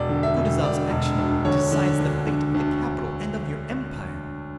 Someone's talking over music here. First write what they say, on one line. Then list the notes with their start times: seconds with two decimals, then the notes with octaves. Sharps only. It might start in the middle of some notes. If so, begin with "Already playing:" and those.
Kutuzov's action decides the fate of the capital and of your empire!
Already playing: E1 D5
0.09 D3
0.23 E5
0.37 E1
0.63 E1 D5
0.90 E1
1.18 D2
1.45 D3 C#5
1.72 D3
1.99 D2
2.27 D3
2.54 D2